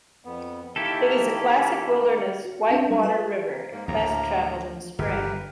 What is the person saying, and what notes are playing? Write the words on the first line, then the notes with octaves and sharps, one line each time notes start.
It is a classic wilderness white water river, best travelled in spring.
F2 B3
D#3 A#3 E4 G4 A4
F#4
C4 D4
G3
F4 B4
A#3
G#2 A#3
D2 A2 A#3 A#5
G1 G4 A#4 B4